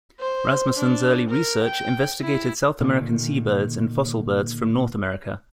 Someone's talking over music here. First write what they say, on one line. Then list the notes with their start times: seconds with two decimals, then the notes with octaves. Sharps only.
Rasmussen's early research investigated South American seabirds and fossil birds from North America.
0.20 C5
0.77 D4
1.30 A#4
1.64 G5
2.22 E4
2.80 A#2 D3 D#3